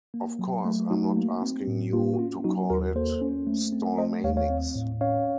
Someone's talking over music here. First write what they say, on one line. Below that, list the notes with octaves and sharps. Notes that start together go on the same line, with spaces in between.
Of course, I'm not asking you to call it 'Stallmanix'.
A#3
F#3
A3
F#3 D#4 F#4
A#3
C4
A2
A#3 F4
F#4
C#4 F4
F#3 D#4 F#4
D#2 F#4 A#4
A#3 A4 C5
C#4
A3
C4
A3 C5 D#5
D#2 C#5 F5
C#5 F5
C4
A2
C#4 C#5 F5